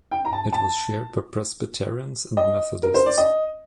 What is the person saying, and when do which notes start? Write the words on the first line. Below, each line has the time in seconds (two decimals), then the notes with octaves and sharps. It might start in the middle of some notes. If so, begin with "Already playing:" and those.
It was shared by Presbyterians and Methodists.
0.11 G5
0.25 A#5
0.33 A5
0.53 A5
2.37 D#5
2.83 A#4
2.94 C5
3.06 D5
3.18 D#5